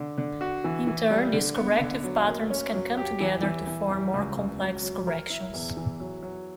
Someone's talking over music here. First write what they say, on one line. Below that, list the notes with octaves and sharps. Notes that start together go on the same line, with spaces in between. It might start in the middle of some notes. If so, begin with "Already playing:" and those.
In turn these corrective patterns can come together to form more complex corrections.
Already playing: D3
D3
F#4
E3
E3
G3
D3
B3
D3
F#3
A#3
C#4
F#3
G4
E3
E3
E3
G3
C#2
C#2
F#3
F#3
A#4
E4
E2
E3
F#3
F#3